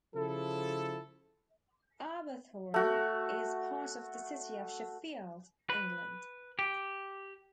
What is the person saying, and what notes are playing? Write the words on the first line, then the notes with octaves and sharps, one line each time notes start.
Arbourthorne is part of the city of Sheffield, England.
C#3 F3 E4 A4
A3 F#4
B4
G4